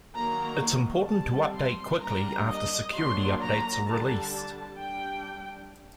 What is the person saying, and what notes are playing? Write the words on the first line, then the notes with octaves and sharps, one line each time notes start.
It's important to update quickly after security updates are released.
D#3 F#3 A#3 A#5
G3 C4 A5
C6
G3 A#3 D4 A#5
D#5
F#3 A#3 D4 C6
A#5
D3 G3 D4 A5
A5
G3 D4 G5